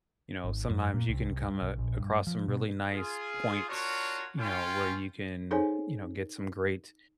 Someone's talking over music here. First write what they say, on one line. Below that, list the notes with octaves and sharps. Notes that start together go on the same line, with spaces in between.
you know, sometimes you can come a across some really nice points, you know, where you can, you know, get some great
G#1
F#2
A#2
C2
C2
G2
B1
A#1
G2
F3
B2
F4 G#4
D4 F4 F#4 A#4 C#5 C#6
C#4 F4 G5
D#4 G#4 A4 C5 C#5 G#5